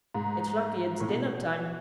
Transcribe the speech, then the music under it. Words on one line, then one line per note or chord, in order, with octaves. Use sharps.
It's lucky it's dinner-time.
G#2
A2
B2